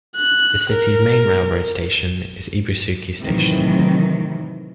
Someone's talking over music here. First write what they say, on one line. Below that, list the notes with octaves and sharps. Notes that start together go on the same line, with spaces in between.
The city's main railroad station is Ibusuki Station.
F#6
A#4
A2 C3 D#3 E3 F#3